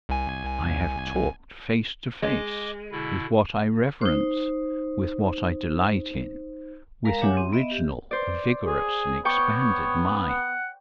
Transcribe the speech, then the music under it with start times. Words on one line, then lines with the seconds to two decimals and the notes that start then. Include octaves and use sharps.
I have talked, face to face, with what I reverence, with what I delight in,--with an original, a vigorous, an expanded mind.
0.09 C2 G#5
2.22 G#3 D#5 D6
2.91 B2 D3 E4
4.01 D#4 C5
7.05 G#3 A#4 F5 A#5
7.21 G4 C#5 E5 F#5 G#5 D6
7.37 C4
7.53 B3 D#5 E5
7.71 G4
8.11 C5 D5
8.67 G#4
9.25 B3 C#5 G5 C#6 D6
10.29 F#5